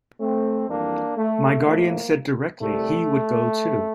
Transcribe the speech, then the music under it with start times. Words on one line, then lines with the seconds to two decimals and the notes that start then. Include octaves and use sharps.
My guardian said directly he would go too.
0.20 A3 C4
0.68 F2 E3 G3 A#3 D4
1.16 A3
1.64 A2 F3 A3 A#3
2.61 C2 C3 G3 A3